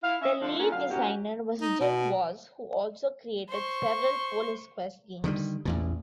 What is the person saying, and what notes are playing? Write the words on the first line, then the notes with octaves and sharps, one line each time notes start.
The lead designer was Jim Walls, who also created several "Police Quest" games.
E4 F5
C#4 D#5 E5
D3 F3 A3 D4
A#3 C#4 D4 F4 G#4 A4
F#2 B2 D3 F5
A#3 B3 C#4 E4 F#4 G4
D#4
B2
C5 C#6
D3 D#3 F#3 G3
A1 E2 A#2